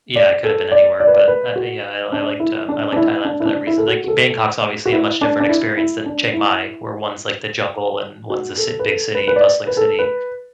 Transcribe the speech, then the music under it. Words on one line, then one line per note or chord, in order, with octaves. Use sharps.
yeah, I coulda been anywhere, but uh uh yeah, I'll I liked, um I liked Thailand for that reason, like, Bangkok's obviously a much different experience than Chiang Mai, where one's, like, the jungle and one's a cit big city bustling city.
D5
A4
D5
D5
B4
D5
B4
F#4
D4
E4
D4
D4
E4
D4
E4
D4
E4
A4
F#4
F#4
A4
F#4
E4
D4
D4
E4
E4
D4
E4
F#4
A4
B4
A4
B4
B4
D5
B4
A4
B4